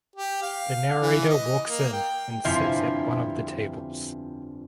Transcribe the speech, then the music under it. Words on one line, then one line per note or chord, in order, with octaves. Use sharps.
The narrator walks in and sits at one of the tables.
G4
F5
E3
D#5
A#3
G5
G1 F2 C3 F3 E4